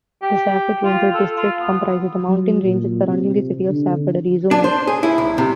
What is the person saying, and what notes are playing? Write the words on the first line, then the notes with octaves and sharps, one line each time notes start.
The Safford Ranger District comprises the mountain ranges surrounding the city of Safford, Arizona.
G4
F4
A4
F4
B3
F#3
A#2
C3
D3
D4
C5
G#4
E4
C2
C3